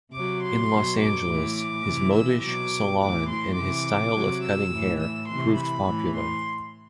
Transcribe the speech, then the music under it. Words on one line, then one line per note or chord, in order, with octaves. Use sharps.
In Los Angeles, his modish salon and his style of cutting hair proved popular.
C3 F#3 D6
C6
B2
F#3
D6
A2 E3
D6
C3 E3
E6
B2 F#3 D6
A2 E3 D6
C6
C3 E3 D6
C3 F#3
E6
A2 E3
E6
C3 E3 C6
B5
A2 E3
C6